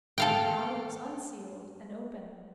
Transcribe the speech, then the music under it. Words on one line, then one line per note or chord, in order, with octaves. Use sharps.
Now it was unsealed and open.
A4 F5 G5